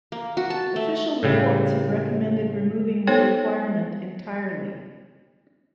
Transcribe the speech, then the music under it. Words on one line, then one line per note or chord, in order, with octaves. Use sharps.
Official reports have recommended removing the requirement entirely.
A#3
F#4
A5
A3
A2 C#3 G3
B3 D#4 A4 C5 C#5 G5